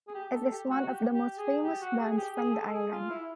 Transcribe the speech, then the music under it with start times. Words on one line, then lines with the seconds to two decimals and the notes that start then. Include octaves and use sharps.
It is one of the most famous bands from the island.
0.08 G#4
0.14 G4
0.34 A4
0.52 G4
0.70 F#4
0.82 F#4
0.89 G4
1.14 G4
1.38 G#4
1.63 G4
1.81 F#4
2.00 G#4
2.11 G#4
2.18 G4
2.36 G#4
2.50 G#4
2.54 A4
2.73 G#4
2.92 F4
3.10 E4